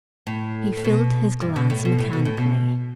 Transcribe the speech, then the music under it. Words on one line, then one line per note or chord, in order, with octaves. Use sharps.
He filled his glass mechanically.
A2
A2
B2
G2
B2
A2
B2
A2
B2
A2
B2